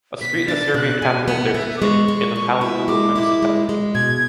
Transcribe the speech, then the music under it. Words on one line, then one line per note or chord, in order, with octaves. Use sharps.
A street in the Serbian capital bears his name, in the Palilula municipality.
B2 B6
D4 A6
B2 F#6
B2 G#5
B3 F#5
F#5
B3 E5
E5
D6
G#3 C#6
G#3
G#3
E4
G#3 D6
E4
G#3
G#3
B2 G#6